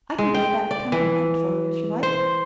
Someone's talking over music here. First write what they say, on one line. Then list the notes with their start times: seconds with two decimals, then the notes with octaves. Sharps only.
I can play that accompaniment for you if you like.
0.18 G#3
0.34 G5
0.71 D5
0.92 E3
2.03 C5